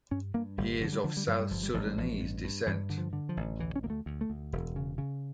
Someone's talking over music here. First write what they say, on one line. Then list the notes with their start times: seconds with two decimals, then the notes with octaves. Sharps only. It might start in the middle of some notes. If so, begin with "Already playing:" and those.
He is of South Sudanese descent.
0.11 G2 C#4
0.34 G2 A#3
0.58 G1 G3
0.81 D3 F3
0.93 G3
1.04 D3 F3
1.17 G3
1.28 G2 F3
1.40 G3
1.51 G1 F3
1.63 G3
1.74 A1 F3
1.86 G3
1.98 A1 F3
2.20 G2
2.44 G2
2.67 G2 E3
2.90 D3
2.98 F3
3.13 D3
3.29 F3
3.37 A1
3.60 D2 E3
3.76 C#4
3.83 D2 A#3
3.90 A3
4.06 D2
4.21 A3
4.30 D2
4.53 E1
4.76 C#3
4.98 C#3